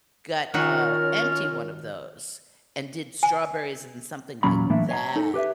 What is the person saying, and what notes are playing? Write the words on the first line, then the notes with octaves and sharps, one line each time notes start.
got, uh, empty one of those and did strawberries in something like that.
D#3 C#4 F4 F#4 A#4 F6
G#5
E2 A#2 F#3 C#4 A#5 B5
A2 E3 F#3 A#3 D4 E5
C#5 G#5 A#5
D#4 A4
G4 B4 E5